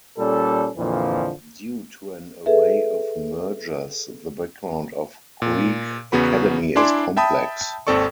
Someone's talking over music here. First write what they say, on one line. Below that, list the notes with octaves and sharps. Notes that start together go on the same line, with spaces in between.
Due to an array of mergers, the background of "Grieg Academy" is complex.
A#2 G3 C#4 A4
F2 A#2 D3 E3 F3
G#4 A4 B4 E5
A#2
E2 C#3 B3 F#4 B5
D4 E4 D5 G#5 C6 D6
E5 G5 A5 B5 D#6
G#1 D#2 C4 A4 D5 C#6